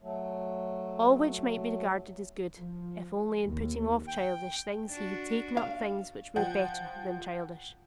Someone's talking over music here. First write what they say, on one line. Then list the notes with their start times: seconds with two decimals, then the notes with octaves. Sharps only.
All which might be regarded as good, if only in putting off childish things he had taken up things which were better than childish.
0.02 F#3 A3
2.56 F3
3.49 D#2
4.07 G5
4.90 D4 F#4
5.57 F5
6.36 F3 F#5 G5